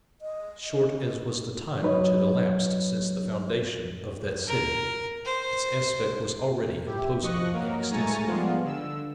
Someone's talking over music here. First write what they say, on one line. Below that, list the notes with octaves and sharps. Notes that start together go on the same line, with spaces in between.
Short as was the time which had elapsed since the foundation of that city, its aspect was already imposing and extensive.
D#5
F#3 D#4 B4 C#5 D#5
A#4
C5
E4 G4
F3 D#5 C#6 F#6 A#6
F#3 A#3 A#4
G#2 A3 G#5 A#5 C#6 A6
F3 G3 G#3 B3 F4
D3 E6